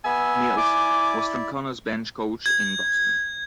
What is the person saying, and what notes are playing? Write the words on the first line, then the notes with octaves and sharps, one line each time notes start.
Mills was Francona's bench coach in Boston.
B3 E5 G#5 E6
E4 D5 D6
G#6